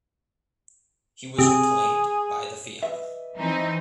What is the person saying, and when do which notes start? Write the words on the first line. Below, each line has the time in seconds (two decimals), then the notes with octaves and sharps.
He was reclaimed by the Fianna.
1.39 C3 G#4
2.83 B4 D#5 E5
3.37 E3 C4 D#4